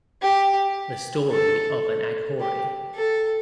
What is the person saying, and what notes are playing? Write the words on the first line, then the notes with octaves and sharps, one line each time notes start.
The story of an Aghori.
G4
A4
G4
A4